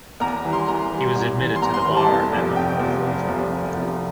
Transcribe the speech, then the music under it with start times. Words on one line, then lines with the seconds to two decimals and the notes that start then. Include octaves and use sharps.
He was admitted to the Bar at Monroe, Georgia.
0.20 E2 A#5
0.37 A#5
0.44 E3 G3
0.53 C6
0.68 E2 A#5
0.91 E3 G3
1.15 E2
1.38 E3 G3
1.56 C6
1.62 E2 A#5
1.74 C6
1.85 E3 C6
1.89 G3
1.97 A5
2.09 F1
2.32 E2 C3 F3
2.56 F1 G5
2.79 E2 C3 F3
3.03 F1
3.26 E2 C3 F3
3.50 F1
3.73 E2 C3 F3